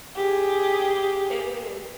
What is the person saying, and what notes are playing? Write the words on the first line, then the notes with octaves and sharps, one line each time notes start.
it is.
G4 G#4